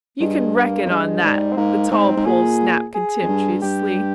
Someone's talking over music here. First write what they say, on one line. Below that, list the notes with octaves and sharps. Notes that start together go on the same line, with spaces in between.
"You can reckon on that," the tall Pole snapped contemptuously.
G2 G#3
A#3
F2
G2 G#3
G#2 G3
C4
G#2 A#3
G#2 C4
G#2
A#2 G#4
G#4
F2
G2
G2 G4